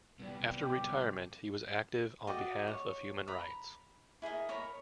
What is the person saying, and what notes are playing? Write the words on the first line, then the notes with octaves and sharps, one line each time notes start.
After retirement he was active on behalf of human rights.
C2 G3 B3
G4
F#4 D5 D#5 G5
C#5
A#5 B5
E4 G#4 A#4 D#5
A#4 C#5 A#5 B5